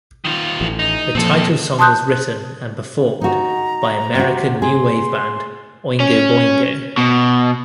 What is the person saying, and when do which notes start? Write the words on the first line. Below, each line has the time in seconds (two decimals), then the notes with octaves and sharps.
The title song was written and performed by American new wave band Oingo Boingo.
0.25 D#3 F4
0.61 A1
0.79 D#4
1.15 A#2 F3 C4 A4
1.79 A5 C6 D#6 F#6 G6
3.21 D#4 F#4 A#5
4.15 C3 F#4
4.62 G#4 C6
6.00 C#4
6.98 B2